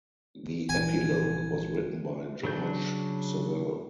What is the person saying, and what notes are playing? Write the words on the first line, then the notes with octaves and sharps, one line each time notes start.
The epilogue was written by George Sewell.
A#1 E3 G#5
C#3 F#3 D4 G6